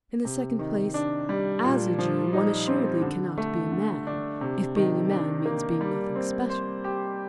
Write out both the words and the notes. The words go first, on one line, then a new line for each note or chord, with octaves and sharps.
In the second place, as a Jew one assuredly cannot be a man, if being a man means being nothing special.
C3
D#3
D4
G3
A#2
F3
D#4
C4
D3
A3
D3
D4
C3
D#3
D4
A#3
G3
C4
C5
G4